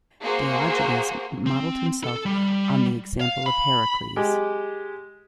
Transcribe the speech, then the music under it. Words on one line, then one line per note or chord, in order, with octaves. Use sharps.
Diogenes modelled himself on the example of Heracles.
A#3 F#4 G#4 C5
C4
A4
G3
F5
B5
G#3 G4